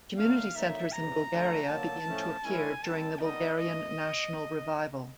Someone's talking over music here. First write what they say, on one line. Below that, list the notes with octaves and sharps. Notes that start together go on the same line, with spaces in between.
Community centres in Bulgaria begin to appear during the Bulgarian National Revival.
D3 F#3 A3 F5
D3 F#3 A#3 D#4 E5
E2 C3 E3 A#5
D3 F3 A3 D4
D3 F#3 A#3 A5
A2 F3 A3 C#4
D#3 G#3 C#4 E4 G#5
D#3 G3 C4 A5
D#3 G3 B3 D#4 D#5
G2 E3 A3 D#5